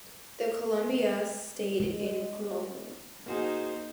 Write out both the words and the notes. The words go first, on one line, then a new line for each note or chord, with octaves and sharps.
The Colombia stayed in Colombo.
G#3
A#3 D#4 F#4 G#4 C5